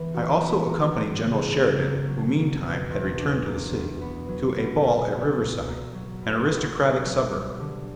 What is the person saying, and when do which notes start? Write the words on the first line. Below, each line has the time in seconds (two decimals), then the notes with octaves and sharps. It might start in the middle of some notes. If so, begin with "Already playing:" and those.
I also accompanied General Sheridan--who meantime had returned to the city--to a ball at Riverside--an aristocratic suburb.
Already playing: E3 B3
0.14 F#4
0.41 B3
0.69 A#3
0.97 F#3
1.25 C#3
1.52 C#3
1.80 A#3
2.08 F#3
2.35 A#3
2.63 B2
2.90 E2
3.18 D4
3.46 A#3
3.73 B2
4.01 B3
4.28 F#3
4.56 B2
4.84 B2
5.12 B3
5.39 F#3
5.67 A#3
5.94 F#3
6.22 B2
6.50 B2
6.77 A#3
7.05 F#3
7.33 G3
7.60 D3